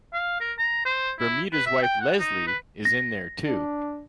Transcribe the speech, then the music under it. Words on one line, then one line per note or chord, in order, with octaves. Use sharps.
Bermuda's wife Leslie is in there too.
F5
A#4
A#5
C5
E4
B4
E5
G5
F#5
D#4
B4
A#6
D4